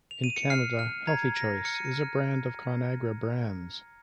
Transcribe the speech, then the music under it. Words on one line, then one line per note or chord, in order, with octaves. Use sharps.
In Canada, Healthy Choice is a brand of ConAgra Brands.
F7
D#7
C#7
F6 C7
F6
A#5 G#6
A#5 A#6
F6 C#7
D#7
C#7
F6